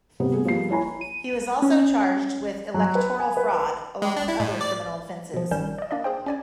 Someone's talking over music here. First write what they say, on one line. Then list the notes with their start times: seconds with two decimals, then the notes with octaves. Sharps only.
He was also charged with electoral fraud, along with other criminal offences.
0.20 C3 G3 B3
0.34 B3 G#4
0.45 F3 G3 A#3 C7
0.70 E4 C#5 G#5 A#5 B5
1.01 D#7
1.62 C#4
2.74 F#3
2.95 B4
3.19 G#5
3.37 B4
3.51 B4
4.02 G#3
4.16 D4
4.28 E4
4.40 A2
4.61 D5
5.34 B2 F3
5.51 G#1 D#3 G3 C#4 G6 E7
5.78 D5 D#5
5.91 A#3 D4 D5 D#5
6.04 G#4 C5 G5
6.26 C#4 D5 G#5